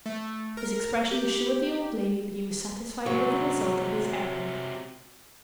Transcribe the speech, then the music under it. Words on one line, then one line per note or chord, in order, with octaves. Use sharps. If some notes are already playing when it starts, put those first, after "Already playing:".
His expression assured the old lady that he was satisfied with the result of his errand.
A3
A#4
G4
C3 F#3 G#3